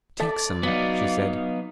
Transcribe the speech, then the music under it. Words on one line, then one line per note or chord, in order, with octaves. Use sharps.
"Take some," she said.
A4 D5 E5 A5
F#3 B3 D#4 F5